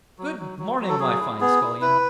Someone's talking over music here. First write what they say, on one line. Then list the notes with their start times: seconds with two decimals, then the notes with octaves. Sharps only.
'Good-morning, my fine Scullion!'
0.19 F#3
0.39 F#3
0.59 F#3
0.80 F#3
0.89 A4
1.00 F#3 G#4
1.20 E4
1.40 B3 G#4
1.62 E4
1.81 E4 B4